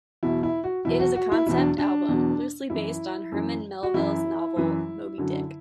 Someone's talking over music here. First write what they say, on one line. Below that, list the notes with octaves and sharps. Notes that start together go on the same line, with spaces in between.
It is a concept album loosely based on Herman Melville's novel "Moby-Dick".
E2 B2 F#3 E4
E4
F#4
E2 B2 F#3 E4
F#4
F#4
E4
E2 B2 F#3 E4
D4
D4
E2 B2 F#3
F#2 E3 E4
F#2 E3
F#4
F#2 E3 E4
F#2 E3
F#2 D3 F#3